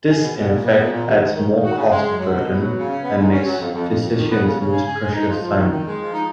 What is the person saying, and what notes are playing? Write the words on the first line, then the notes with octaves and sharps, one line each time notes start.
This in effect adds more cost burden and makes physicians lose precious time.
G#4
B2
B2
A#2
B3
A#2
A#2
D#2
D#2
D#3
D#3
F#4
C#3
G#3
F#2
F#3
B2
B3
F#3
C#3
C#4
B3
G#2
C#4
F#3
F2
F2
F2
F2
D#3
B3
C#3
C#3
G#4
G#4
G#3
D#4
F3
F3
D#3
D#3
G#3
F3
D#4